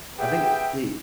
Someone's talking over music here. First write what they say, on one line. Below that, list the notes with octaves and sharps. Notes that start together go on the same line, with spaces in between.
I think, eh, they
G4 G#4 B4 E5 F#5 G5